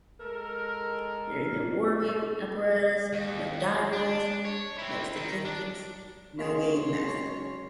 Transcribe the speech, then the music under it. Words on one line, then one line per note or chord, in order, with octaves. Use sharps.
There is no wargame apparatus, no die rolls, no statistics, no gamemaster.
G#3 A4 A#4
D#2
D4
C#5
C4 E4
D#3
D4
F#2 C#3 G#3 A#3 G#4 C#5 C6